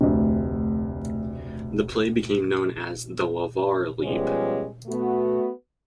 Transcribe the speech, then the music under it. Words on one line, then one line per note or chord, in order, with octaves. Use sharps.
The play became known as "The LaVar Leap".
F1 D2
C#3 F3 G3 G#3 B3 C#4
A3 B3 F#4